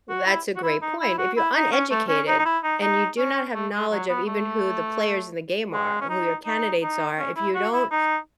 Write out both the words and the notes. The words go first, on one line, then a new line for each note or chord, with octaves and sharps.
That's a great point. If you're uneducated and you do not have knowledge of even who the players in the game are, who your candidates are, if you don't
F#4
E4
F#4
E4
D#4
E4
F#4
E4
D#4
C#4
A3
C#4
D#4
D#4
E4
D#4
D#4
C#4
A3
G#3
F#3
B3
A3
G#3
C#4
D#4
D#4
D#4
C#4
E4
F#4
E4
D#4